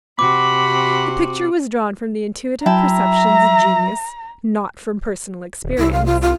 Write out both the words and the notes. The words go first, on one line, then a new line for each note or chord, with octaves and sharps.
The picture was drawn from the intuitive perceptions of genius, not from personal experience.
C3 C4 F#4 B5 D6
F#3 E4 E5 G5 A5 A#5
D#1
C2 E4
F5
F4
F4